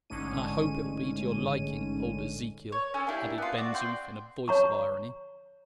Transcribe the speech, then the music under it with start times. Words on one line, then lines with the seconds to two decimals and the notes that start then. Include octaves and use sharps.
"And I hope it will be to your liking, old Ezekiel!" added Ben Zoof in a voice of irony.
0.10 A1 G#2 D3 G#3 C#4 D#7
2.72 C#5
2.94 C#4 A4 G#5
3.07 A#3 D4 E4 G4
3.38 B3 F4
3.58 F#4 D5
3.74 C4 F#5 G5 C6
4.48 C#5 A#5 C#6